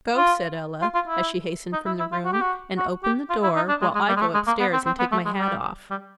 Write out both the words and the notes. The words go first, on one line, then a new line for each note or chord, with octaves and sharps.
"Go," said Ella, as she hastened from the room, "and open the door, while I go upstairs and take my hat off."
F4
F4
F4
E4
D#4
E4
E4
F4
F#4
G4
F#4
F#4
G4
F4
E4
D#4
D4
G#3
G#3
G3
G#3
A3
G#3
A#3
B3
C4
C4
B3
A3
G#3
G3
G3